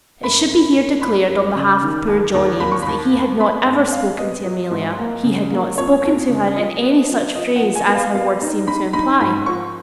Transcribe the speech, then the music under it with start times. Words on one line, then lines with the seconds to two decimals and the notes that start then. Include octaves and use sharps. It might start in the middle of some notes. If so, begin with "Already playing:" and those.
It should be here declared on behalf of poor John Eames that he had not ever spoken to Amelia--he had not spoken to her in any such phrase as her words seemed to imply.
0.23 F#1 B5
0.50 F#1
0.75 F#1
1.02 F2 B5
1.28 F#1
1.56 C#3
1.82 D#3
2.08 D#2
2.34 D#2
2.60 D#2 B5
2.72 C#6
2.82 D#2 B5
3.13 D#2
3.40 B3 B5
3.66 G#1 G#5
3.92 G#1 F5
4.18 B3 D#5
4.45 F#3
4.71 G#2
4.99 A#3
5.24 C#3
5.51 A#3
5.78 F2 C#5
6.03 F2
6.30 C#3
6.56 F3 D#5
6.82 B3
7.10 F3
7.35 F3 D#5
7.56 F#5
7.61 F3
7.75 G#5
7.88 B3
7.95 F5
8.14 B3 F5
8.42 D#4
8.67 D#4 B5
8.93 D#4 B5
9.20 G#2 B5
9.46 F3 C#6